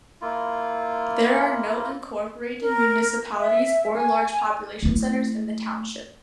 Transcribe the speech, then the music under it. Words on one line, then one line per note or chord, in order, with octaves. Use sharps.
There are no incorporated municipalities or large population centers in the township.
A#3 E4 F4
A#4
E5
G#5
A3 E4